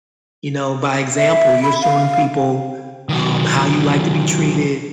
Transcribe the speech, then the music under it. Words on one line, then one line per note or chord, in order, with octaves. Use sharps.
you know, by example, you're showing people, um, how you like to be treated,
E5
B5
F5
D#3 F#3